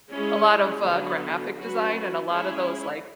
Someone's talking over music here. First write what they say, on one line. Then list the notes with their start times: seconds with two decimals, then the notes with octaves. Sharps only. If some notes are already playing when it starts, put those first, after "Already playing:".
a lot of uh, graphic design and a lot of those, like,
0.10 G#3 C#4 E4 G#4
0.82 D3 F#3 B3
1.55 F#3 C#4 F#4 B4
2.28 G#3 C#4 E4 G#4